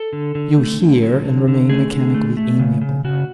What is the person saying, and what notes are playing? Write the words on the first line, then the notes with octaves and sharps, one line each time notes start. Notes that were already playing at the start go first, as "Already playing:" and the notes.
You hear, and remain mechanically amiable.
Already playing: A4
D3
D3
A3
D3
F#3
D3
D3
A3 G#4
D3
A3
A3
C#3
C#3
C#3 F#4